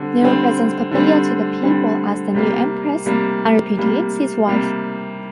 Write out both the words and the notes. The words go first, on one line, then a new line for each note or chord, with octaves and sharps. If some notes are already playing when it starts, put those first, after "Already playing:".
Nero presents Poppea to the people as the new empress and repudiates his wife.
Already playing: D3 G3 C4
D3 G3 C4
D3 G3 C4
D3 G3 C4
C3 G3 A#3
C3 G3 A#3
C3 G3 A#3
C3 G3 A#3